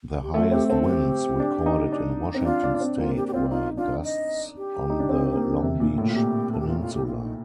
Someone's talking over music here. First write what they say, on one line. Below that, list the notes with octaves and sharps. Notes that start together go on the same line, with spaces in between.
The highest winds recorded in Washington state were gusts on the Long Beach Peninsula.
G4
A3 F4
C4 G4
C4 A4
A4
G4
D4
D#4
D4
C4
D#4
D4 F4
D4
D4
C4
A#3 F4
G4
G4
C4 F4
D#4 F4
D4 F4
D#5
G4
D#4
D4
C4
A#3
D3
C3
A#2
A2 D#4
F4
A#2 G4
A4
G4
F4
F4
G4
F4
D#4